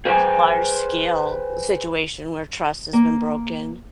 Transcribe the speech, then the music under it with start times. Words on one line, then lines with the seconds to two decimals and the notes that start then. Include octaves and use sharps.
s large scale situation where trust has been broken.
0.05 G#4 B4 C5 D5 G5 G#5
2.93 A#3